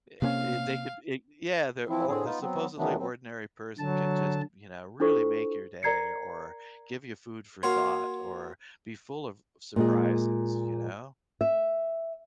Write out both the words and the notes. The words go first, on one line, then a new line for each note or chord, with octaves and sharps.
Eh eh they could eh yeah, they're or the supposedly ordinary person could just, you know, really make your day or give you food for thought or be full of surprises, you know?
C3 A#3 C#4 F5
E3 F3 C4 E4
A2 D3 C4 G#4
B3 D#4 F4
F#3 B3 C4
D#3 E3 F#3 A3 B3 D4
F#3 C4
D3 F#3 A5
D4 E4 F4 A4 C5 C#6
A#4 D5 A#5 G#6 C7 C#7
A#3 F#4 C#5 C6 F6
A#2 G#3 G#4
E5